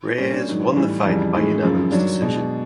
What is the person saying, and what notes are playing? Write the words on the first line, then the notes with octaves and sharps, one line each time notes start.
Reyes won the fight by unanimous decision.
A#2 G3 C#4
D4
G#2 D#3 F#3
A2 E3 G3 D#4
F2 C#3 E3 G3
A2 E3 G#3 D#4
F#2 C#3 F3
G2 D#3 F#3 D4
B2 G#3